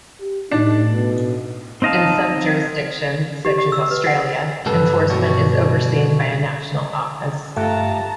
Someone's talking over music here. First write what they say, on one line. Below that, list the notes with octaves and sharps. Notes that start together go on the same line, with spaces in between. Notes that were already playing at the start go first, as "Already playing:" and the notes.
In some jurisdictions, such as Australia, enforcement is overseen by a national office.
G4
A2 D4 D#4
B2
C4 D#4 D#5 F5 A5
G4
G4
E6
B4
F#5
C#2 G2 G3 A4 B4
B2 G3 F#4 C#5
G2 A3 F4 G4 F#5 A5 A#5